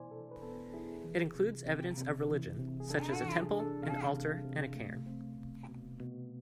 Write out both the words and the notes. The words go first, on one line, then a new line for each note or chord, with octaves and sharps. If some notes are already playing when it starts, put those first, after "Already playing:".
It includes evidence of religion, such as a temple, an altar and a cairn.
Already playing: B2 B3 E4 C5 D5 G#5
B2 A4
B4
B3 A4
E4 G#4
E3
C3
C3
C3
E3
C3
G#4
D4 A4
A4
E3
G#4
D4
A4
C3 F5
C3
C3
A3
C4
B2
B2
B2